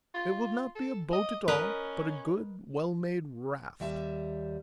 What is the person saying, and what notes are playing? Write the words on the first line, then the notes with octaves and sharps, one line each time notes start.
"It will not be a boat at all, but a good, well-made raft."
F4
A4
D#5
C#4 A#4 B4 D#5
D#2 G3 E5 A5